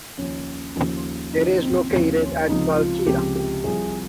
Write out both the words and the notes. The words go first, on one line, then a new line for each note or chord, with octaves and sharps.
It is located at Valkeala.
D#2 C#3 F3 C#4
D#2 C#3 F3
D#2 C#3 F3 D#4
C4
D#2 C#3 F3 C4
C#4
C#2 C3 F3 D#4
F4
C#2 C3 F3 G4
G4
C2 C3 F3 G#4